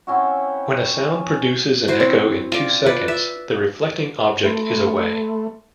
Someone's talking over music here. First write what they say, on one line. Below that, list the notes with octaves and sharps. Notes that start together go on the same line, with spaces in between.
When a sound produces an echo in two seconds, the reflecting object is away.
C4 C#4 E4 F#4
E4 F#4 C5
C4
F4 D5
B4 D5 B5 C#6
E5
A3 E5 B5 C6